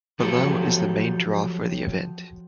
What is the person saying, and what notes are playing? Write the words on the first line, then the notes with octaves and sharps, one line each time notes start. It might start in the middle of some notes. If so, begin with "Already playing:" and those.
Below is the main draw for the event.
F3 F#3 F#4 G4 A4